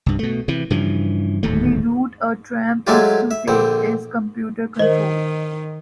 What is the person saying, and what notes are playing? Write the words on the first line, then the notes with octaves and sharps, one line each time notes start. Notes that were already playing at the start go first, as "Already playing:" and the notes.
The route a tram is to take is computer-controlled.
C2 G2
B2 A3
C3 E3
G2 C#3 E3 F3
D1 D#2 G#2 A3
F#3 G#3 A3 D4 F4 G4
E5
A#1 D3 C4
D#3 A#4 C5 D#5